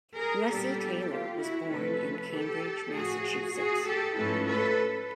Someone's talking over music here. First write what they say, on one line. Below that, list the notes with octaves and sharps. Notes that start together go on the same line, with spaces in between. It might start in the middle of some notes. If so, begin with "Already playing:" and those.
Russi Taylor was born in Cambridge, Massachusetts.
G#4 A#4
A#2 G3 B3 D4 G4 A4
F4 G4
E4 F#4
C3 F3 A3 C#4 A4 B4
G4 A4
A2 F3 A3 F#4 G#4
F#4 G#4
G4 A4
G#2 F3 A3 C#4 E4 A4 B4
A4 B4